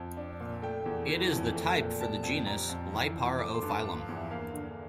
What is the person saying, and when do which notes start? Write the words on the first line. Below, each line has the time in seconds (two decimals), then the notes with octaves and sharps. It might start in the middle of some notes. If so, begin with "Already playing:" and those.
It is the type for the genus "Liparophyllum".
Already playing: F2
0.17 D4
0.40 A#2
0.62 A3 G5
0.86 E2
1.09 E3
1.32 F2
1.55 A3
1.77 A#2
2.01 G3 A5
2.23 F2
2.47 G3 A#5
2.69 F2
2.93 E3
3.16 F2
3.38 A3 D6
3.54 C6
3.62 G2
3.69 A5
3.85 F3
4.00 F5
4.08 E2
4.16 E5
4.31 A#3 F5
4.54 D3